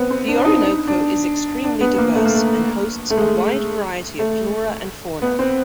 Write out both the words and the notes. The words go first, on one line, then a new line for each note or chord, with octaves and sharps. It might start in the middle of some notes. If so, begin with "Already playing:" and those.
The Orinoco is extremely diverse and hosts a wide variety of flora and fauna.
Already playing: B3 C4
C4
D4
D4
D#4
D#4
D4
D4
B3
B3
A#3
A3
A#3
A3
A3
G#3
A3
B3
C4